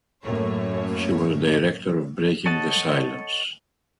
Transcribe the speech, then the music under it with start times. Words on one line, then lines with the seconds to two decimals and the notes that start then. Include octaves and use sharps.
She was director of Breaking the Silence.
0.23 F#2 A2 A3 A#3 C#5
2.46 A4 C#5 D#5 F#5 A5